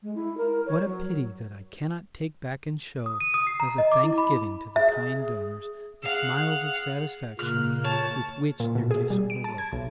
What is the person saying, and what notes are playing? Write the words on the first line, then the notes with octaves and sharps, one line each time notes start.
What a pity that I cannot take back and show, as a thanksgiving to the kind donors, the smiles of satisfaction with which their gifts were welcomed.
G#3
E4
A#4
C#5
F#3
D#6
D#7
D#6
C7
A#5
D#5
D6
E4
B5
G#4 E5
G#4 F5 F#5
A#2 C#3 A#3 F6 F#6
C#5 A5
A#2
B2
G#4
G3
D7
A5
G#6
B1